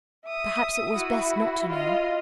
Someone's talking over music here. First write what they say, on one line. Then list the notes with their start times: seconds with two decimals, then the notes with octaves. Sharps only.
Perhaps it was best not to know.
0.26 E5 D#6
0.94 E4 F#4
1.70 F4 D#5